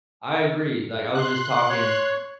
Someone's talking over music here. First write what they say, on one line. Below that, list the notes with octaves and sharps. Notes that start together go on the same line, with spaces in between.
I agree, like, I was just talking
C6 F#6
C#5